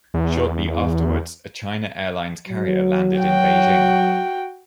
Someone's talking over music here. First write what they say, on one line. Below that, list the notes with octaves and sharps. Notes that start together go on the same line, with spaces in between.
Shortly afterwards, a China Airlines carrier landed in Beijing.
E2
F#3
F#4 G5